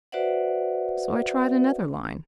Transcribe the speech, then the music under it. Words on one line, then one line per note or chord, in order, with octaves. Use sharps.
So I tried another line.
F#4 B4 C5 D5 E5 F#5